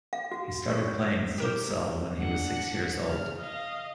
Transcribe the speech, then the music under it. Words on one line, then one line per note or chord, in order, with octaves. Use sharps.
He started playing futsal when he was six years old.
F5
F#4
C#6
C#5
G4 A#4 C5
D4 F#5
C#3 F6
D#5 F5